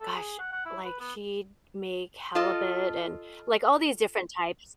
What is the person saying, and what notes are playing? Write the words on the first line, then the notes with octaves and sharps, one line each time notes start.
gosh, like, she'd make halibut, and, like, all these different types.
A4
G#4
F#5
F#5
E4
B4
B3
F4 A4 D#5